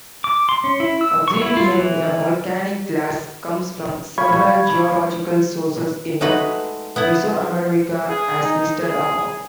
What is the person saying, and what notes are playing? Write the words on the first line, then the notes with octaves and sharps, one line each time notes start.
Obsidian, a volcanic glass, comes from several geological sources in Mesoamerica, as listed above.
D6
C6
C#4
E4
E6
C#6
E4
F4
E3
F5 B5 C#6 G#6
G#3 A3 D#4 F#4 B4
B3 E4 F#5
G#4
D#4
G#4